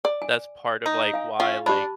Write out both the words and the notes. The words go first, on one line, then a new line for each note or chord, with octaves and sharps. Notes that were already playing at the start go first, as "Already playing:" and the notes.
That's part of, like, why, like,
D5
G#5
D#4
F5 G#5
C#4 F4
D4 G4 A5 B5